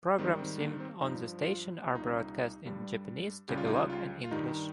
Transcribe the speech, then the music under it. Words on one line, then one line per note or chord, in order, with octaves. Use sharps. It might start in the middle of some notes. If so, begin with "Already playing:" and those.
Programs seen on the station are broadcast in Japanese, Tagalog, and English.
G#2 D#3 G3 C4
C4
A#3
C4
G2 F3 D#4
F4
C2 A#2 G3 F4
D#4
C#4
D#4
G2 G3
C#2 C#3 G3 G4
F4
D#4
F4
F4
F4
G2 D#3 G3 D#4